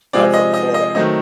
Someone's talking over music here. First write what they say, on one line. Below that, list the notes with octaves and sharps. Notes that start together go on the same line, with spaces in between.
I'm from Florida.
C3 F3 G#3 C4 D5
D#5
D#5
D#5
D#3 F#3 A3 C4 D#5